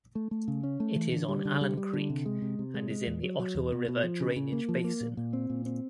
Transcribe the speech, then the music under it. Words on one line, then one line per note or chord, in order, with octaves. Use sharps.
It is on Allen Creek and is in the Ottawa River drainage basin.
A3
A3
C#3
C#4
A3
E3
D3
G3
D3
G3
G3
D3
C3
G#3
C3
C3
G#3
G#3
E2
F#3
F#3
E2
B2
B2
F3
C#3
C#3
A#3
F3
A#3
A#2
A#2
C4
A#2
C4